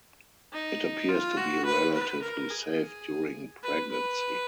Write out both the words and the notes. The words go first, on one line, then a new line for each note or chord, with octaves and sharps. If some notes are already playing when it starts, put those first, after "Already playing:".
It appears to be relatively safe during pregnancy.
D#4
F4
F#4
B4
B4
A#4
G#4
B4
B4